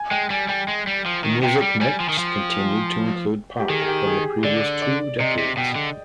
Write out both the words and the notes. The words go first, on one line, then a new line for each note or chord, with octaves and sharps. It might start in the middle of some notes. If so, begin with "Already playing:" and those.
The music mix continued to include pop from the previous two decades.
Already playing: G#5
G#3 G5
G3 G#5
G3 G5
G#3
G3
F3
D#3
C3 G5
G3
G3 G#5
F3
D#3
F3
G4
D#3 G#4
G#4
G4
G#4
D3 D5
D5
C3 D#5
C3
B2 G5
D3